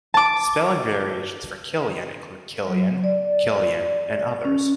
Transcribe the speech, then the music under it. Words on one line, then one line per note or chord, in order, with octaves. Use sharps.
Spelling variations for Killian include Kilian, Killion, and others.
A5 D6
F#3
D5
C#4